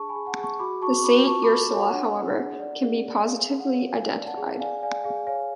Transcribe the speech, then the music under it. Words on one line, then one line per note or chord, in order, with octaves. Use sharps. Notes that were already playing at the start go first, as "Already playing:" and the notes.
The "Saint Ursula", however, can be positively identified.
Already playing: D4 G#4 A5 C#6
G#5 B5
G#4
F#5 A5
G#4
A5 C#6
F#4 B5 D6
F#4 A5 C#6
C#6
F#4 B5 D6
F4 A5 C#6
B5 D6
A4
C#5
F#5 A5
D4 F#5
G#4
D4
D5
G#4
D5
G#4 F5
G#4
F#5
C#5
B4 F5 G#5
D5
F#5 A5
G#4
D5 F5 G#5
D5 F5 G#5
G#4 F5 G#5
C#5 F5 G#5